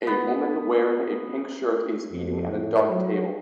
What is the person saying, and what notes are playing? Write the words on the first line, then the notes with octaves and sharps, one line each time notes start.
A woman wearing a pink shirt is eating at a dark table.
B3
F2
A2
F#3